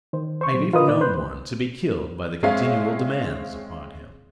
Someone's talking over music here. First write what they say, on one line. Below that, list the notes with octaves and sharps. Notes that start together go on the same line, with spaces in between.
I have even known one to be killed by the continual demands upon him.
D#3 C5
C5 C#6
A#2 F#3
F4 A#4 B4 D#5 D#6
A#2 D5
B4 C5 C6 F#6 G6
G#3 C4 G#4 C#5 E5 F5